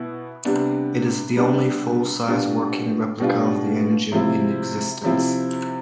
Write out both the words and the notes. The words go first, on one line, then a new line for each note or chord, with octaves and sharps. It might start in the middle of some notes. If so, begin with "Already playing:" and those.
It is the only full-size working replica of the engine in existence.
Already playing: B2 B3 E4
C3 G3 B3 D4
C3 G3 B3 D4
B2 G3 D4 F4
B2 G3 D4 F4
C3 F3 C4 E4
C3 F3 C4 E4